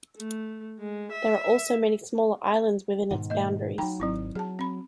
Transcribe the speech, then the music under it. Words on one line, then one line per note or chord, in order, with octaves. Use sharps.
There are also many smaller islands within its boundaries.
A3
G#3
E5
G#2 B2 D#3 F#5
A3 D#5
E3 F#3 D#4 G5 A#5
G#1 F#3 C4 E4
F#3 G#4 A5
C4 B5